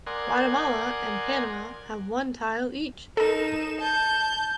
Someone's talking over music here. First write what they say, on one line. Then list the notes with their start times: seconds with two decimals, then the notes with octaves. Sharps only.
Guatemala and Panama have one title each.
0.07 A#4 D5 F#5 G#5 C6 D#6
3.17 D#4 A4 A#4 E7
3.80 A5 G6